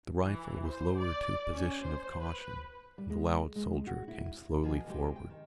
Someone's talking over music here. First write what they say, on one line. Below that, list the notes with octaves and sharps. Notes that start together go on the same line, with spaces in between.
The rifle was lowered to a position of caution and the loud soldier came slowly forward.
E3
C5
D5
C#4
C5
B4
G3
G#3
G#3
F#4
E4
B2 F3 F#4 G#4 B4
C3 E3 G#3 B3 C4 G4
G5
D#3